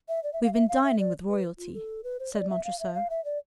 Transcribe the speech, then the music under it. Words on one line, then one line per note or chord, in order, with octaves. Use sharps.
"We have been dining with royalty." said Montresor.
E5
D5
E5
F5
E5
F5
E5
D5
B4
F4
A4
B4
C5
D5
E5
F5
E5
F5
E5
D5